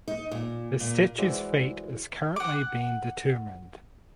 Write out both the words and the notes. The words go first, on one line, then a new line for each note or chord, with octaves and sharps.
The statues fate is currently being determined.
D#4
A#2
A#2
E3 G#3 F#4 C5 D5
F#5 D6